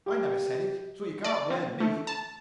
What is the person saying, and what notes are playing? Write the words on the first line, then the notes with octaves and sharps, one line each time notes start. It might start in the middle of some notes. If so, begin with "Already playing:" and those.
"I never said it--so you can't blame me."
G4
D5
C4
A3
A5